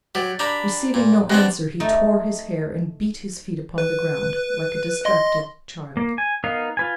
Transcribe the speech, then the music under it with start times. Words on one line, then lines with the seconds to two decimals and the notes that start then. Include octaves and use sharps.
Receiving no answer, he tore his hair, and beat his feet upon the ground, like a distracted child.
0.15 F#3 G4 C#5 D5
0.39 D4 G4 A#5 B5
0.94 A#2
1.30 C3 B3 D4 F#4
1.80 A3 D#4
3.78 B4
5.05 D#5 C6
5.97 A#3
6.18 G#5
6.44 B3 D#4 A#4 F5
6.77 F4 B4 G#5